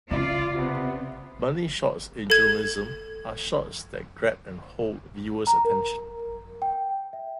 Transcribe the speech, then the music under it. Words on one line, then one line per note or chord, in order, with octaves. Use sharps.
Money shots in journalism are shots that grab and hold viewers' attention.
C#3 F4 D5
C3 B3
A4 G#6
A#5
A#4
G5
E5